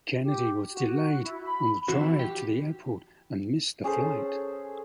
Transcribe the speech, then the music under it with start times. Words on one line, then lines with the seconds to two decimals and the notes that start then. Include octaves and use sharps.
Kennedy was delayed on the drive to the airport and missed the flight.
0.21 G4
0.72 F#4
1.23 E4
1.43 B5
1.88 E2 E3 C4 F#4 E7
2.01 E3
2.19 G4
3.84 C#4 G#4 A4 C5